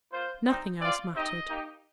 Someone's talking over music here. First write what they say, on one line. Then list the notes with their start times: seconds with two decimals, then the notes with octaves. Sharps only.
Nothing else mattered.
0.11 A#3 F4 C5
0.46 G3 C4 D#4
0.80 C4 F4 D5
1.14 C4 D#4 G4 D#5
1.48 A#3 D#4 G4